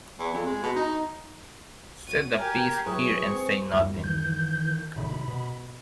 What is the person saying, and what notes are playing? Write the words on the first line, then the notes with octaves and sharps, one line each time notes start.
Set the piece here and say nothing.
E2
F2
G#3
B2
D#4
F#4 D#7
G4 A#4 G#5
F#3 E4 G#4 B4 C#6
C4
D1 F#2 G3
D#3 E3 G6
A1 C3 D#3 B5
B2